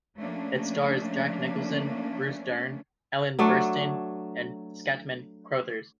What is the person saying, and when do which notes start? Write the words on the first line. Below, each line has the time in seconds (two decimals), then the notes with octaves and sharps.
It stars Jack Nicholson, Bruce Dern, Ellen Burstyn and Scatman Crothers.
0.16 F3 A3 A#3 C#4 D4
3.39 F#3 A3 D4